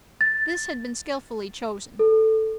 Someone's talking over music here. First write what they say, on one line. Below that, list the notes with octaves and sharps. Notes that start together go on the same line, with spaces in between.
This had been skillfully chosen.
A6
A4